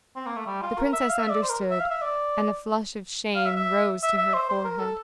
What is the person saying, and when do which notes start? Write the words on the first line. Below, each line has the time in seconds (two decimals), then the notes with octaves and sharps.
The princess understood, and a flush of shame rose to her forehead.
0.16 C4
0.26 A#3
0.36 A3
0.47 G3
0.62 F4
0.78 A#4
0.93 E5
1.09 F5
1.19 E5
1.30 D5
1.42 C5
1.49 A#4
1.71 E5
1.80 F5
1.91 E5
2.02 D5
3.35 F5
3.46 E5
3.56 E5
4.03 E5
4.18 E5
4.34 C5
4.49 C5
4.64 A#4
4.80 A4